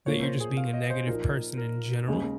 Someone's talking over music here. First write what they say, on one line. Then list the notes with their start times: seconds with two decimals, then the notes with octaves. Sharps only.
that you're just being a negative person in general,
0.06 A#2 F3 A#3 C#5
0.23 C5
0.40 G#4
0.57 F5
0.73 D#5
0.90 C5
1.07 A#2 F3 A#3 D#4 A#4
1.57 A#4
2.08 D#2 C#3 G#3